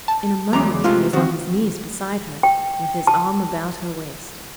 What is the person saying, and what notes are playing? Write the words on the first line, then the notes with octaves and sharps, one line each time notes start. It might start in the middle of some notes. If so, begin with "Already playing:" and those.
In a moment he was on his knees beside her, with his arm about her waist.
A5
E2 F#3 G#3 A#5 D6
C3 G#3 A3 F4
C3 D#3 C4 F#4
G5
A5